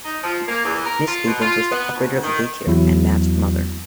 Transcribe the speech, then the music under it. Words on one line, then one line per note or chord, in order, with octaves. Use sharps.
Miss Havens was the operator of the day care and Matt's mother.
D#4
F3
A#3
E2
A#4
F4
B2
F4
B3
D2
D#3
E2 F#3 E4 F#4